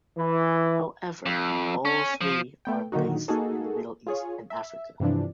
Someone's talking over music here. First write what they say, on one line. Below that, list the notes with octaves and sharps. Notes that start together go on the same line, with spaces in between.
However, all three are based in the Middle East and Africa.
E3
F2
C#4
F3
A3 B3 G5
A#2 D3 D#3 F#3 D#4 F#4
A#3 D#4 F#4 G#4 A4
F4 G#4 C#5
E5
G2 C3 E3 F3 D4